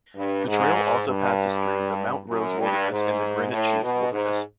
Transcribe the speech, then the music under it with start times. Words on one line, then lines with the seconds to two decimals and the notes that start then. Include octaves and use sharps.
The trail also passes through the Mount Rose Wilderness and the Granite Chief Wilderness.
0.16 G2
0.46 G#2
1.08 G2
2.30 F#2
2.60 G2
2.91 G#2
3.52 A2
3.82 B2
4.12 G#2